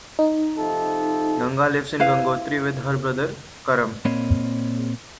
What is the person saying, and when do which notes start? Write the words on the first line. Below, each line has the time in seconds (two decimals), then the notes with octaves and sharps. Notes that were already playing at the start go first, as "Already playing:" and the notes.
Ganga lives in Gangotri with her brother, Karam.
0.19 D#4
0.57 C3 F3 A4
1.99 E4 B4 F5
4.05 A#2 A#3 C4 C#5 D#5 B5